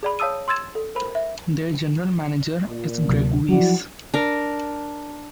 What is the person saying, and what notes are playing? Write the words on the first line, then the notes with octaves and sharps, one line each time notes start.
Their general manager is Greg Weis.
G#4 D5 B5
C#5 F5 A5 D#6 E6 D#7
C6 E6 G#6 A6 E7
A4
A#4 C5 B5
E5
A#2
D2 C3 F#3
F3 F#3 E4 F#4 D5
D4 A#4